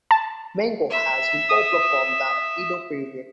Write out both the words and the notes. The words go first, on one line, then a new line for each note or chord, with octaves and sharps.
Menko has been popular from the Edo period.
A5
E5
D#6